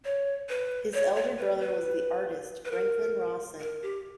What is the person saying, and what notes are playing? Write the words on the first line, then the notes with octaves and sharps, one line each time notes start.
His elder brother was the artist Franklin Rawson.
C#5
B4
C#5
C#5
B4
B4
B4
A#4
A#4
G4